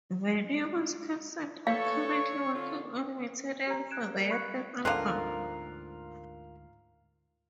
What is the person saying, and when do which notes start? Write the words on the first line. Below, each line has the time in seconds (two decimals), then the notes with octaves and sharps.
Venomous Concept are currently working on material for their third album.
1.67 E3 A4 C#5 F5 C#6
2.53 D3 F4
3.67 G4 A#5
3.91 F#6 G#6 D7 E7
4.14 A#4 D5
4.30 B5 C#6 F#6 G#6 C7 C#7
4.85 D2 G#2 D3 C4 F4 A#4 F5 F#6